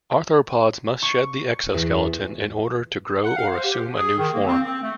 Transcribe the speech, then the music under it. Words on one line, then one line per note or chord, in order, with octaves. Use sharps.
Arthropods must shed the exoskeleton in order to grow or assume a new form.
C#6
E2
F#5
F5
C5
G4
G#4
D#3
A#3
C4
C4
A3